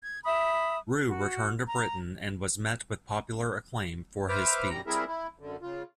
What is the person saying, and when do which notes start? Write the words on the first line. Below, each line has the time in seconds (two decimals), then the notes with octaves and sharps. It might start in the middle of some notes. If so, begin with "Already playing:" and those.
Riou returned to Britain and was met with popular acclaim for his feat.
0.02 G#6
0.25 E5 B5 D#6
1.08 F#4
1.67 A#5
4.29 B4 C5 E5 D6 F6
4.70 F#2 G3 A#5
4.87 G3 C4 E4 G#4 A#4 E5
5.07 E4
5.39 F#2 D3
5.62 C#3 F4